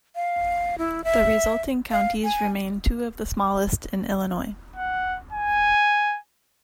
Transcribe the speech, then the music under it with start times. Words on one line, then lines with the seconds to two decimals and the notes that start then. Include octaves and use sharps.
The resulting counties remain two of the smallest in Illinois.
0.15 F5
0.78 E4
1.04 E5
1.91 F5
2.24 G#5
4.76 F#5
5.32 G#5